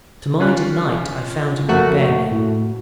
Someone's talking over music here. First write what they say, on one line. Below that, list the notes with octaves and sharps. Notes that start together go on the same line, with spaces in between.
To my delight I found it would bear me.
C#4 F4 F#6
F2 A3 A#3 F#4 F#5
A2